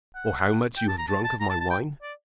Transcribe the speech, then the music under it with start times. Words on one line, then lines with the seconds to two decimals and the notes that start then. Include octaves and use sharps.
"Or how much you have drank of my wine?"
0.15 F#5
0.77 G5
0.88 A5
0.98 A#5
1.08 A5
1.24 A5
1.40 A#5
1.50 A5
1.60 A5
1.70 G5
2.02 D5